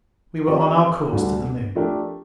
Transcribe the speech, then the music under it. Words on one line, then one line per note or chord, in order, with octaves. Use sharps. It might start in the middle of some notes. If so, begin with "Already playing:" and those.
We were on our course to the Moon.
F3 C4 D#4 G4 D5
D2 D3 G3 D4
F3 A3 D4 G4 A#4